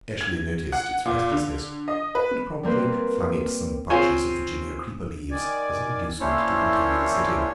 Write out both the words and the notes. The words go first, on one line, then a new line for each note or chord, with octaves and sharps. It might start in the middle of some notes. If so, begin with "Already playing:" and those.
Eshley noticed its restlessness and promptly flung it some bunches of Virginia creeper leaves as an inducement to continue the sitting.
G#6
F#5
A#2
D3
D#5
B4
G3 A#3 C4 B4
C4 F4 C5 C#5 G#5
D#3 D5 G#5
A#3 C#4 D4 E4 C5 C#5